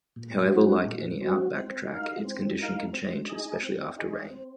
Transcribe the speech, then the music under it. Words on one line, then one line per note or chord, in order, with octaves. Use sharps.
However like any outback track, its condition can change, especially after rain.
A#2
F#3 C4 F#4
A#2
F#3 C4 F#4
C4
D#4 A#4 F5
C4
D#4 A#4 F5
C4
D#4 G#4 D#5
C4
D#4 G#4 D#5
C4